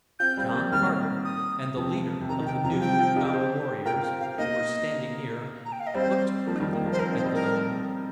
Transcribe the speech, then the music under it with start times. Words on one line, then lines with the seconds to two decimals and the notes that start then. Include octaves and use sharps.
John Carter and the leader of the new come warriors, who were standing near, looked quickly at the little group.
0.19 C4 F4 G6
0.37 G3 C4
0.50 A#3
0.55 G3 C4
0.72 D#3 G3 F6
1.25 D#6
1.76 C3 F3
2.21 C3
2.29 D#3 A#5
2.40 D#3
2.46 C3 G5
2.64 C3 F3 A#5
2.73 G4
2.81 C4 F4 G5
2.98 C4 F4
3.16 D#4 G4
3.33 G4 C5
3.86 F4 A#4 G5
4.03 G5
4.20 F5
4.38 A#3 D#4 D#5
5.65 A#5
5.72 G5
5.80 F5
5.87 D#5
5.94 G3 C4 C5
6.47 F3 A#3
6.60 D#3 G3
6.73 F3 A#3
6.86 F3 A#3
6.92 C5
6.99 C4 A#4
7.12 D#4 C5
7.24 G3 C4
7.34 A#4